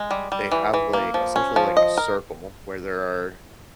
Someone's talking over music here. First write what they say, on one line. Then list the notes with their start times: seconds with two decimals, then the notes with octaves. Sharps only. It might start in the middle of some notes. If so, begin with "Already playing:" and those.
they have, like, essentially, like, a circle where there are,
Already playing: G#3
0.11 G3
0.32 G3
0.52 E3
0.74 E3
0.93 A#3
1.14 F3
1.36 C#4
1.56 F3
1.77 D#5
1.97 A#4